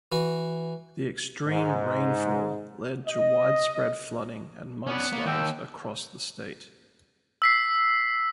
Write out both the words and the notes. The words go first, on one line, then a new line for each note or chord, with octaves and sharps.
The extreme rainfall led to widespread flooding and mudslides across the state.
E3 F#4
G#2
D#5
B3 C#4 D5
A#3
D#2 F#5 G5 E6
E6 B6 C7